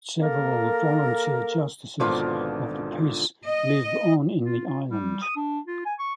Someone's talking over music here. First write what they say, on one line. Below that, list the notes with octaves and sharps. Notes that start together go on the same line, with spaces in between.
Several volunteer Justices of the peace live on the island.
A#3 A4 A#4
G#1 B2 D3 F3 A#3 F4 B4 C5
D#5
F4
F4
G3
D#6
D4
F4
G#5
C#6